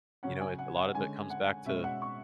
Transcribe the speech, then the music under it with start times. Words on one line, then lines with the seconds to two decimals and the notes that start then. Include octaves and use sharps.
You know, a lot of it comes back to
0.23 C#3 F#3 C#4 F#5
0.40 G#5
0.59 F#5
0.76 F#5
0.94 D3 G#3 C#4 G#5
1.30 F#5
1.65 B2 G#3 C#4 E5
1.84 F#5
2.02 C#6